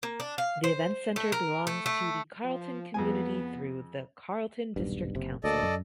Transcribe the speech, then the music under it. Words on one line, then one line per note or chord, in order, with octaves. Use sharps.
The Events Centre belongs to the Carterton community, through the Carterton District Council.
A#3
D4
F5
C5
A3
A#4
A3
A3
F3
F2 G#3 B3 G#5
D#1 B1 G2
F#1 C3
D2 A#3 A4 D5 D#5
F#2